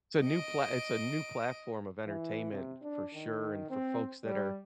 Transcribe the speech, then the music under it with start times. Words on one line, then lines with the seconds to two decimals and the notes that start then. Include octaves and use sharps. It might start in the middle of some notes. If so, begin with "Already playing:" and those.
It's a new pla it's a new platform of entertainment for sure, and for folks that are
0.23 D#5 D7
2.06 E3
2.52 C3
2.82 D4
3.14 D#3
3.70 C4
4.24 G3